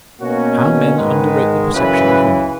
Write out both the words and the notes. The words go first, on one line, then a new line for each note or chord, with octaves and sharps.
How men underrate the perception of women!
B2 A#3 C#4 F#4
G#2 D#3 G#3 B4
F#2 C#3 E3 B4